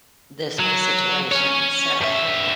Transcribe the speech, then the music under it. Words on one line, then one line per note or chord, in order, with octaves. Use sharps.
this whole situation, so
F#3
C#4 C#5
G2 E5